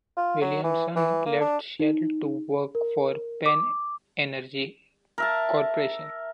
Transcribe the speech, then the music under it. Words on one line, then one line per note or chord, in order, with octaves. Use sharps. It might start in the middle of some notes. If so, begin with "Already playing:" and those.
Williamson left Shell to work for Pan Energy Corporation.
F4
F#3
E3
E3
A#3
D4
D#4
A#4
D6
A#4 E5 A5